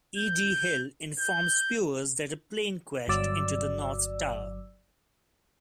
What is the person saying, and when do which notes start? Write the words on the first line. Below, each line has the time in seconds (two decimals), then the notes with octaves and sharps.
E. D. Hill informs viewers that a plane crashed into the North Tower.
0.18 G6
1.20 G6
3.08 G1 F#3 D5 E6